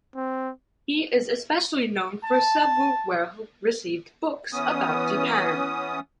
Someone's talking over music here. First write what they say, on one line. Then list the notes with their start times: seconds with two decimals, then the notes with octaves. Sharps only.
He is especially known for several well-received books about Japan.
0.15 C4
2.25 A5
4.53 E3 B3 C#4 D#6